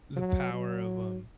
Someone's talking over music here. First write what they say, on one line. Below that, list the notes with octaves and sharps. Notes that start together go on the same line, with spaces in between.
the power of, um,
F#3
F#3